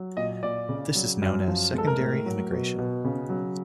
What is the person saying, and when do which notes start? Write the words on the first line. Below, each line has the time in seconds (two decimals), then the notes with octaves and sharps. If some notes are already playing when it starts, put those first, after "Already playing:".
This is known as "secondary immigration".
Already playing: F#3
0.17 A#2 D#5
0.43 A#2 D5
0.69 C#3
0.95 F#3
1.22 F#2
1.48 F3
1.74 G#3 A4
1.87 A#4
2.00 A2
2.26 F#3
2.52 B2
2.78 B2
3.05 C#3
3.29 F#3